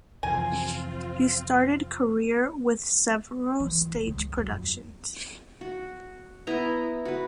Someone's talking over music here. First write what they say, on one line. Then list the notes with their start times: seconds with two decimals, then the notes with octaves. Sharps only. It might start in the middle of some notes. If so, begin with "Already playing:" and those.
He started career with several stage productions.
0.23 F2 C3 E3 C4 F4 G#5
3.60 E3
3.81 E4
3.95 C#3
4.07 C#2
4.19 E2
4.38 F#2
4.50 F2
5.61 F#4
6.47 B3 E4 D#5 A#5
7.05 F#4 B4